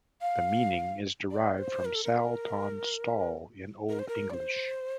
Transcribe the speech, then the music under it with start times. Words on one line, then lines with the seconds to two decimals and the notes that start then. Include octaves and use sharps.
The meaning is derived from Sal-ton-stall in Old English.
0.21 F5
1.31 D5
1.58 C5
1.85 A#4
1.95 A4
2.04 A#4
3.89 A#4
3.99 C5
4.08 A#4
4.30 D5
4.34 C5